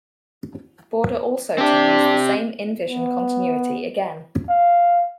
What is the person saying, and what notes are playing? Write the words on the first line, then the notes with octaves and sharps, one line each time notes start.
Border also to use the same in-vision continuity again.
C4 D4 G4
B3
F5